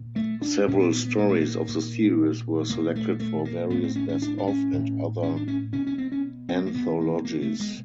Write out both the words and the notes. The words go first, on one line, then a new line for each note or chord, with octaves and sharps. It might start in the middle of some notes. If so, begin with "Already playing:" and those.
Several stories of the series were selected for various "Best of" and other anthologies.
Already playing: A#2
A3
D4
A#2 C#4
B3
B3
B3
A#3
A3
A#3
A#2
A#2 A#3
A3
A3
A#3
A2 B3
C4
C#4
C#4
D4
D4
C#4
A2
C#4
D4
C#4
B2 C#4
C#4
C4
C#4
C4
A#3
B2 B3
A#3
A#3
A3
G#3